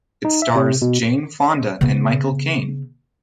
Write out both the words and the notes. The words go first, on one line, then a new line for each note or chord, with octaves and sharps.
It stars Jane Fonda and Michael Caine.
D#4
E5
C3
B2
C#3 B3